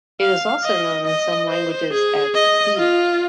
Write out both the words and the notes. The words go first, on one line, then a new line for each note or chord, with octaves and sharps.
It is also known in some languages as He.
F5
D#5
D#5
C5
G#4
D#5
F4